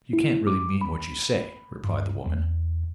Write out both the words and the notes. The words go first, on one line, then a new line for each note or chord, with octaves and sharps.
'You can't really mean what you say?' replied the woman.
E4
D6
B5
G2
E2